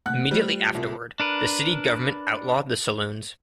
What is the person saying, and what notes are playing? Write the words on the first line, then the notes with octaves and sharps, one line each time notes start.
Immediately afterward, the city government outlawed the saloons.
C3 A3 A#3 F#5 F#6
G3 A3 F4 C5
C2 A#2
D4 A#4 B4